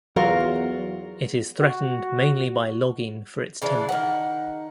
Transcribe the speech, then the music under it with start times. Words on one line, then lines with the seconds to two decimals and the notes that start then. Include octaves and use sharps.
It is threatened mainly by logging for its timber.
0.16 E2 F#3 F4 F#4 A#4
1.59 F#4
3.62 C#3 E3 D4
3.89 D#3 F#5